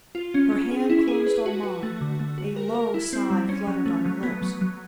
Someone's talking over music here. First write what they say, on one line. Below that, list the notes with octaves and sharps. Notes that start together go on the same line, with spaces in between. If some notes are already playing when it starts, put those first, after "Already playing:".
Her hand closed on mine, a low sigh fluttered on her lips.
F4
C#4
C#4
G#4
E4
G#4
B4
F#4
F#4
A3
D3
A3
F#4
A#4
A#4
E4
C4
G3
C#4
F#3
A3
F#3
B3
F#3
F#3